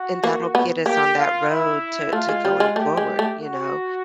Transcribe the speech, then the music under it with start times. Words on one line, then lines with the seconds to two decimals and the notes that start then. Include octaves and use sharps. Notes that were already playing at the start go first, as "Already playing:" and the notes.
And that'll get us on that road to to going forward, you know?
Already playing: F#4
0.24 A#3
0.55 B3
0.86 A#3 G4
1.18 F4
1.50 E4
2.13 A3 F4
2.29 G#3
2.45 G3
2.60 G#3
2.76 A3 G4
2.97 G#3
3.19 A3
3.40 F#4